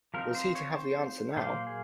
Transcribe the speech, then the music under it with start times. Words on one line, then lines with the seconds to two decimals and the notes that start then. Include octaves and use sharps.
Was he to have the answer now?
0.14 F3 C4 D#4 A#4
0.35 C5
0.55 C#5
0.76 C5
1.36 A#2 F#3 A#3 C5
1.67 G#4